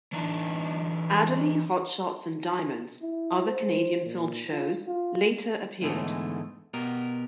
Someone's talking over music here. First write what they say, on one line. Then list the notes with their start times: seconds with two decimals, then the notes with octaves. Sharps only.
"Adderly", "Hot Shots" and "Diamonds", other Canadian-filmed shows, later appeared.
0.12 E3 D4 D#4 B4
3.02 E4
3.46 C5
4.05 A#2
4.52 F4
4.87 F4
5.81 E2 G#2 D3 E3 G#3 A3
6.74 B2 B3 G4 A#4